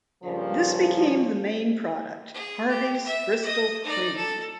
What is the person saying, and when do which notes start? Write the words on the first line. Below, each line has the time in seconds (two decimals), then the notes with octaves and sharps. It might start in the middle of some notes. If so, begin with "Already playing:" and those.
This became the main product: Harveys Bristol Cream.
0.23 G2 A#2 C#3 F3
2.34 G#4
2.68 G4
3.05 E5
3.43 D#5 D#6
3.84 D#4 D5
4.16 A4